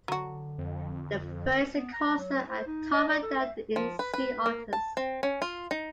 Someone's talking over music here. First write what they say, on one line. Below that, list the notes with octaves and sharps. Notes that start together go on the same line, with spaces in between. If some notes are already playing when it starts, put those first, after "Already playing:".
The fur is coarser and tougher than in sea otters.
D3 F#3 F#4
F2
B3
A#5
F#3
C5
D#4
D#5
D5
A4
E5
F3
B4
B4
A#3
A5
C4
C#4
F4
D#4